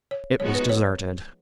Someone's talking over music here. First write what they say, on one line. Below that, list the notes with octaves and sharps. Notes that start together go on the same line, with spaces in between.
It was deserted.
C#5
F3 G#3 B3 D#4 F#4 C#5
B4
C#5